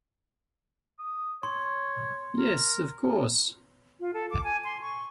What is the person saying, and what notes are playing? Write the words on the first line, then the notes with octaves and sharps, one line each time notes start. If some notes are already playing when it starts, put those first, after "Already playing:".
Yes, of course!
D#6
C#5 C6
A#4
F4
A4
D6
G#5
C6
C#6